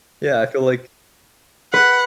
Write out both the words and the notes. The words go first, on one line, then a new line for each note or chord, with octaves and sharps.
Yeah, I feel, like,
B4 F#5